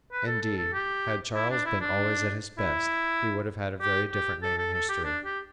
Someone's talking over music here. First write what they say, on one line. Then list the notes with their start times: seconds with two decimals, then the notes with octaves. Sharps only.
Indeed, had Charles been always at his best he would have had a very different name in history.
0.12 B4
0.27 A4
0.42 A4
0.57 A4
0.73 G4
1.35 E4
1.51 D4
1.66 E4
1.81 D4
2.58 E4
3.81 G4
4.12 G4
4.43 A4
4.58 A4
4.74 A4
4.89 G4
5.04 D4
5.25 G4